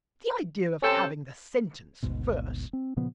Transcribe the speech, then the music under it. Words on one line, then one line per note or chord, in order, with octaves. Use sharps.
'The idea of having the sentence first!'
C3 C#4 A4 G5
G#1 D2 G#2 B2
C4
A#2 C#3 F3 B3